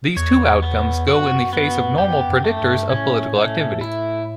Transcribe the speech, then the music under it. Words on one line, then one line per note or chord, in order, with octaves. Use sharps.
These two outcomes go in the face of normal predictors of political activity.
E2 C#5
B3
F#2 F#4
B3
F#2 G4
F#2
A3
G2
A2 C#4
A3
E4